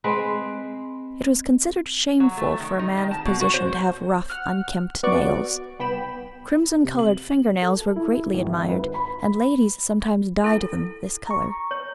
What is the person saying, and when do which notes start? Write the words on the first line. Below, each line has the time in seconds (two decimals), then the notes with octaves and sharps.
It was considered shameful for a man of position to have rough unkempt nails. Crimson-coloured finger-nails were greatly admired; and ladies sometimes dyed them this colour.
0.04 G#3 C4 B4
2.20 F#3
2.37 A3
2.60 D#3
2.79 D#4
2.97 D#3
3.11 A5
3.25 B2
3.41 F#4
3.54 C5
4.30 F#5 F6
5.03 B3 F#4 D5 C#6 D7
5.79 C2 B3 G5 B5 E7
6.84 C3
6.99 F#7
7.62 A4
7.96 E4
8.34 G#1
8.49 E5
8.69 B4
8.94 B5
10.44 E4 A4
11.27 A#5 C#6
11.71 C#5